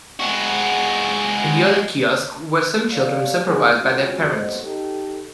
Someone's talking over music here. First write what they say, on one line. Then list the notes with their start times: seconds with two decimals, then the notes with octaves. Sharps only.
In the other kiosk were some children supervised by their parents.
0.20 G#3 F#4
2.92 G4 A4 C#5 D5 F5
3.43 C4 D#4 F4 F#4 G#4
3.79 G#3 C4 C#4 F4 F#4
4.32 C2 F#3 A3 B3 C5 D#5
4.63 D#4 G4 A4